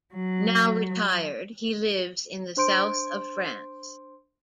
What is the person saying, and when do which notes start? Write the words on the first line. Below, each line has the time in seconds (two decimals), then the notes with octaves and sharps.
Now retired, he lives in the south of France.
0.15 F#3
2.57 D4 C5 C6 G6 D7